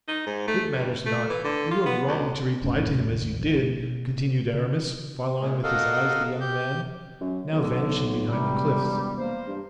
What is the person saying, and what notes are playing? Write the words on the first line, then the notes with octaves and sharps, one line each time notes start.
"It matters not; you were wrong to reply to him as you did," continued Aramis, following with his eyes the young man, now vanishing behind the cliffs.
D#4
G#2
A3
G2
A3
E3
D3
F4
B3
D2
D1 F2 A2 C#4
G1 D#2
G#1 C#2 F3
B2 A#3
C#3
A#2 G#3
F#4 A4 A#4 D#5 F5
G4 G6
F#2
B1 D3
E1 C3 G3
A#3 C5
G2